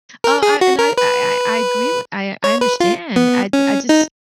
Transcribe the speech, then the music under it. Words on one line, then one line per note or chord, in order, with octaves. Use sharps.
Oh, I and I I I agree with I I understand. I I just
A#4
G#4
F#4
A#4
B4
C#5
B4
F4
B3
C#4
D#4